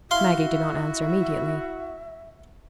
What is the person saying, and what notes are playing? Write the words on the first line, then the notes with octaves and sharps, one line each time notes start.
Maggie did not answer immediately.
E4 F#4 E5 F5 C6